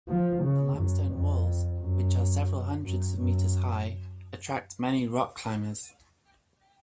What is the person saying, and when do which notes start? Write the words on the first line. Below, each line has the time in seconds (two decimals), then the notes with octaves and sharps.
The limestone walls, which are several hundreds of metres high, attract many rock climbers.
0.08 F3
0.43 C#3
0.77 F#2
1.12 F2
1.80 F#2
2.84 F#2
3.19 F#2